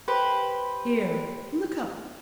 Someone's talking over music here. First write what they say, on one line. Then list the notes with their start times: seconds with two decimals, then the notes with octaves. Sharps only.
Here, look up.
0.08 G4 B4 C5